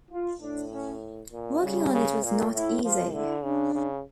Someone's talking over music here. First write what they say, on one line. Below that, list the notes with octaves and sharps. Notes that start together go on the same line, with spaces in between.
Working on it was not easy.
F4
A2 D4
C#4
A#2
C#3 G3
C#3
A#2 A#3
A2 E4
F3 F4
D3 E4
C#3 D4
C#3